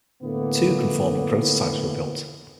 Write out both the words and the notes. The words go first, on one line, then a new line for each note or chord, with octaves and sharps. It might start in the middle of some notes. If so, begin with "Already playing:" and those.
Two conforming prototypes were built.
A2 D3 E3 A#3 B3